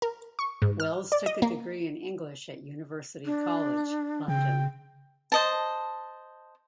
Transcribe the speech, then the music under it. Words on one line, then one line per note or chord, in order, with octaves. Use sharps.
Wells took a degree in English at University College, London.
A#4
C#6
G#2
F6
D5
D#5
A#3
D4
C#3 G5
C5 D#5 A5